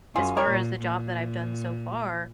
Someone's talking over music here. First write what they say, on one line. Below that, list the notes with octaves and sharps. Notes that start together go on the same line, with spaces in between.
as far as the job that I've done so far,
F#2 F4 G#4
A#4 C#5
A#2
A#2